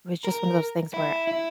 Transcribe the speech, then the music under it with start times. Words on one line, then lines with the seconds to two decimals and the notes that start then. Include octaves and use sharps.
it was just one of those things where
0.24 A#4
0.94 E4
1.27 E4